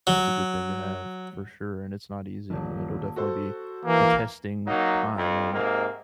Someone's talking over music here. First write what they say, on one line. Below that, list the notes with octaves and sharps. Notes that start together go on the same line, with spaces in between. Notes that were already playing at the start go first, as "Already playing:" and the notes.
that's a good thing to have, for sure, and it's not easy, and it'll definitely be a testing time, and,
F#3
D#1 A#1
F#4 A4 C5
E3 A#3
F#3 A#3 D#4
F2
G#2 C3 A#3